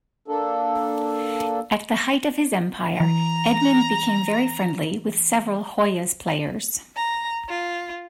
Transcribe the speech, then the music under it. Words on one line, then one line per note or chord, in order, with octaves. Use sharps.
At the height of his empire, Edmond became very friendly with several Hoyas players.
A#3 D4 A4
E3 A#5
A#5
F4